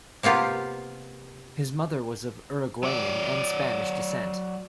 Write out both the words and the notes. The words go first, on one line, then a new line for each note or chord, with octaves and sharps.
His mother was of Uruguayan and Spanish descent.
C3 A#3 B3 F4 G4
F#3 D5